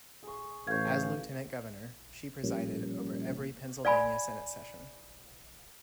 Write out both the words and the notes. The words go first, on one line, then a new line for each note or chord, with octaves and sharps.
As lieutenant governor, she presided over every Pennsylvania Senate session.
G#4 C#6
A1 C#5 F5 G6 G#6
A#2 F3 G3 A#3 C#4
D5 F5 G#5 B5